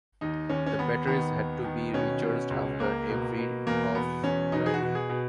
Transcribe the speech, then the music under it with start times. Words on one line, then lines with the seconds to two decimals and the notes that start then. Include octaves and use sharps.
The batteries had to be recharged after every of driving.
0.21 D#2 D#4
0.49 D#2 C#4
0.66 C#4
0.78 D#2 B3
1.07 D#3 B3
1.36 D#2
1.64 D#3
1.93 B2 C#4
2.23 B2
2.51 C#2
2.79 C#2 A#3
3.09 B2
3.37 B2
3.67 E2 A#3
3.94 B2 B3
4.23 E2 C#4
4.52 B2 D#4
4.66 G#4
4.74 F#4
4.82 B2
4.95 G#4
5.09 B2